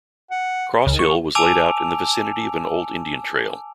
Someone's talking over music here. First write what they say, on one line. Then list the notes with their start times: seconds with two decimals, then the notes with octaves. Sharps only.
Cross Hill was laid out in the vicinity of an old Indian trail.
0.31 F#5
0.87 C#2 D#3
0.99 C#6
1.35 G#5 A5 D6 E6 D7 F7